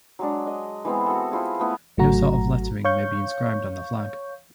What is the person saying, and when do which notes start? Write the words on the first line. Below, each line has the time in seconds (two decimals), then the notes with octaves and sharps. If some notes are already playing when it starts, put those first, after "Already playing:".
No sort of lettering may be inscribed on the flag.
0.19 F#3 G#3 D4
0.47 D#5 G#5
0.85 E3 G#3 B3 C4
1.06 F#4 A4
1.32 C4 E4 F4 G#4
1.60 A3 B3 E4
1.97 G#1 F#3 A3 F#4 A#5
2.85 C#5 F5 C#6 G6